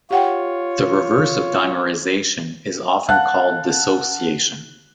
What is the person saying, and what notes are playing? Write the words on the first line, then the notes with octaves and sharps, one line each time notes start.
The reverse of dimerisation is often called dissociation.
F4 G4 C#5 F#5 G5
F5 F#5 A5 F#6